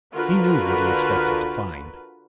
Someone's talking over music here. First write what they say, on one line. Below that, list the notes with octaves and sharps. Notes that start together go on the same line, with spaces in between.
He knew what he expected to find.
D3 F4 F#4 A#4 B4